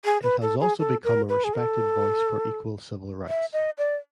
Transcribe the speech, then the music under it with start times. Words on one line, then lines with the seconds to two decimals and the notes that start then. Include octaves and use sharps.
It has also become a respected voice for equal civil rights.
0.05 G#4
0.23 B4
0.42 A4
0.60 G#4
0.79 A4
1.04 A#4
1.29 B4
1.44 G#4
1.54 A#4
1.58 A4
3.28 E5
3.53 D#5
3.78 D5